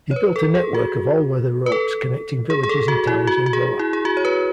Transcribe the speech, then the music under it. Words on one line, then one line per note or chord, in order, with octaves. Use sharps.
He built a network of all weather roads connecting villages and Towns in Goa.
C#5
B4
A4
G#4
F#4
B4
A4
G#4
G#4
A4
F#4
E4
F#4
F#4
G#4
E4
G#4
F#4
C#5
B4